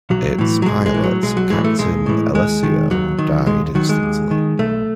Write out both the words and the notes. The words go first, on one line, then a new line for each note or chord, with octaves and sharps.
Its pilot, Captain Alessio, died instantly.
B1 F#3
A2 E3
F#3
B1 G#3
G#3
A2 E3
F#3
B1 G#3
F#3
A2 E3 G#3
A3
B1 G#3
A2 E3
D#2 G#3
D#3
D#2 F#3
D#3
D#2 G#3
D#3 F#3
G#3
D#2
D#3
B1 A3